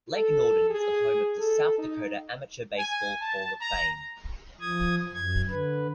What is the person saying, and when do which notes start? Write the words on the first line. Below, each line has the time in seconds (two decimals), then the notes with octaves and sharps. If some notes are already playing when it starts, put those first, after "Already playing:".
Lake Norden is the home of the South Dakota Amateur Baseball Hall of Fame.
0.13 A4
0.70 G#4
1.39 A4
1.78 D#4
2.78 G#5
3.20 A5
3.61 A#5
4.60 F3 D#6 G#6
5.14 F#2 G#6
5.49 D3 B4